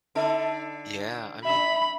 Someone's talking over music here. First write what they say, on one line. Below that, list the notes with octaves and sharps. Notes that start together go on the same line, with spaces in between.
Yeah, I mean,
D3 D#4 A4
D4 E5 B5